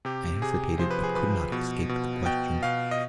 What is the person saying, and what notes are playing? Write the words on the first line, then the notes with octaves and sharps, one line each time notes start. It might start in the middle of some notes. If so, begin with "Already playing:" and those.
I hesitated but could not escape the question.
C3 G4
C3 G#4
F3 C5
B4
G#4
F3 B4
B2
B2
B2 G5
B2 F5
D#5